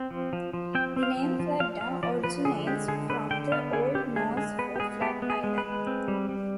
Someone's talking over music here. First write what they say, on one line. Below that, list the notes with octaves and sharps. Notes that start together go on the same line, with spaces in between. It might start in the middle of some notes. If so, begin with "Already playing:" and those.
The name Fladda originates from the Old Norse for 'flat island'.
Already playing: C4
F3
F3
F3
C4 G5
C4
F5
F3
F3
F3 F5
F3 F5
F3 D5
F3 B4
D3 G#4
G#3 G4
D3 G#4
D3 B4
D3 G5
B3 F5
D3 G#4
D3 G4
G#3 G#4
G#3 G#4
B3 B4
G4
G#3 G#4
B3 G4
B3
G#4
G#3
B4
G#3
C4
G3
G3